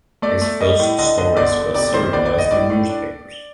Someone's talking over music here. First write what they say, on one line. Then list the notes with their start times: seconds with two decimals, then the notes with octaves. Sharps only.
His first stories were serialized in newspapers.
0.22 A3 D5
0.41 A3
0.61 G3 D#5
0.80 A2
0.99 D3 D#5
1.18 D3 D#5
1.37 G1 D5
1.56 G1
1.74 C3 D5
1.94 D#3 C5
2.13 A#1 D5
2.26 D5
2.32 A#1
2.38 D#5
2.51 A2 D5
2.70 A2
2.89 D4